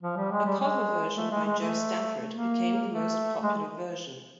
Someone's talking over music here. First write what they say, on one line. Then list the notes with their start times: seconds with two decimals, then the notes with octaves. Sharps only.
A cover version by Jo Stafford became the most popular version.
0.03 F3
0.17 G3
0.31 G#3
0.46 G3
0.60 G#3
1.16 A3
1.31 G#3
1.44 G#3
1.59 A3
2.30 A#3
2.87 A3
3.43 G#3